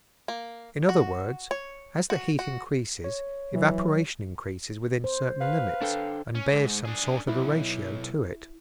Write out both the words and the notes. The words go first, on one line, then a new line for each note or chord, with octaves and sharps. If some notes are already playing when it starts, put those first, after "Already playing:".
In other words, as the heat increases evaporation increases within certain limits and bears some sort of a ratio to it.
A#3
F#4
C#5
F#4
F#4
C#5
E3 F#3
C5
B4 F5
D4 A4 G5
C#4
G#2
D4 G#4
B1 E4